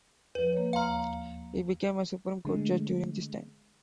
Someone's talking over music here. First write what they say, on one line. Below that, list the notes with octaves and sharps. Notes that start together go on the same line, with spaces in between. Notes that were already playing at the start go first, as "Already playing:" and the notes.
He became a supreme court judge during this time.
E2 F3 B4
A#3 C#5
D#2 F5 A#5 C6 F6
D3 G#3 A3